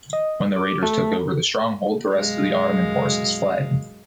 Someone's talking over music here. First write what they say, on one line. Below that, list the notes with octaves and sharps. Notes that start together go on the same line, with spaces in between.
When the raiders took over the stronghold, the rest of the Ottoman forces fled.
D#5
D6
A3 A4
F#2 B2 G#3 F5 A#6